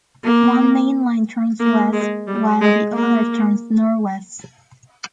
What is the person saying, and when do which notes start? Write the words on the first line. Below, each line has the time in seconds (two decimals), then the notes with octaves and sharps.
One mainline turns west, while the other turns northwest.
0.24 A#3
1.60 A#3
1.93 G#3
2.28 G3
2.61 G#3
2.95 A#3